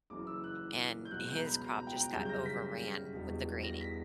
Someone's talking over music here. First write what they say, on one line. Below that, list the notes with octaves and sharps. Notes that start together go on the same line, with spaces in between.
and his crop just got overran with the greening,
F#1 F#2 E3 D6
E6
F#6
G6
C#2 B2 F#3 F#6
G6
A#5
B5
A#5
A#5
G5
A#5
F#2 C#3 G3 G6
G6
A#6
B6
E1 E2 B2 G3
A#6
B6